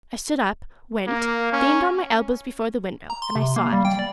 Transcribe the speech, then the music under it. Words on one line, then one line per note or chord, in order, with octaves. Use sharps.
I stood up, went, leaned on my elbows before the window, and I saw it.
A#3
C#4
A#5
C6
C3
A#3
G3
G5
D5